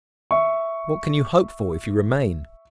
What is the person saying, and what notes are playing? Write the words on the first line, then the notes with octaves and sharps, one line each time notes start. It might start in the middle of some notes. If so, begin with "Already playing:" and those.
What can you hope for if you remain?
E5 C#6